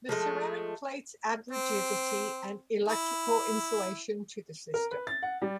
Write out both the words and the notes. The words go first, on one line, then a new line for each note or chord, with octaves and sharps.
The ceramic plates add rigidity and electrical insulation to the system.
F3 G#3 A3
C4
E4
A#4
B4
A6
F#5
G3